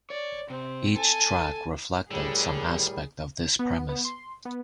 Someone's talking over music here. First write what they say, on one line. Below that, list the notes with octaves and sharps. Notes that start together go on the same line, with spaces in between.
Each track reflected some aspect of this premise.
C#5 D5
C3 C4
A4 G#5 A5
A2 D3 G3 G4 G#4 A#4
B3
B3
C6
B3